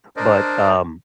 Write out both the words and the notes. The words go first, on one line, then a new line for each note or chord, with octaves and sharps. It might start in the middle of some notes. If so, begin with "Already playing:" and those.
But, um,
D4 A#4 C5 D5 D#5